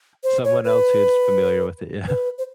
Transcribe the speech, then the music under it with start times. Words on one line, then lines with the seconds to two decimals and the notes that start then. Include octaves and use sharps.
Someone else who's familiar with it. yeah.
0.24 C5
0.45 C#5
0.64 B4
2.08 B4
2.38 C5